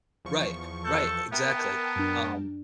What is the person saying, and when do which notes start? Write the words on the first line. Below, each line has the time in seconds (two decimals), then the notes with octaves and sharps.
Right, right, exactly, um
0.25 E2 F3 C#6
0.84 A4 A5 F#6 G6
1.32 B3 A#4 E5 G5 A5
1.96 F#2 D4